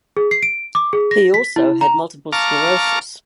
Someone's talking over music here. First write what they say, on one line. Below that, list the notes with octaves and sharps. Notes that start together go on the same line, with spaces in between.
He also had multiple sclerosis.
G#4
C7
D7
D6
G#4
A#6
B6
E4
A#5
F5 A5 A#5 C#6 D6 F6